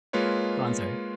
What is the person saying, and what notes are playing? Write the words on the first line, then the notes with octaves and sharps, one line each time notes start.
Go on, sorry.
G#3 A#3 F4 B4 C#5